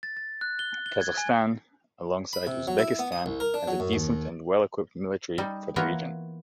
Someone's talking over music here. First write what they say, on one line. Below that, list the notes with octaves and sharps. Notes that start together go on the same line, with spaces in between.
Kazakhstan, alongside Uzbekistan, has a decent and well-equipped military for the region.
A6
A6
F#6
G7
G7
G#6
G#5
B5
C3
F#3
E4
B3
D#6
C2
A#4
D4
F#3
F#2
D#2
G3 D#4
E3 A#3 B3 F4 C#5 A#5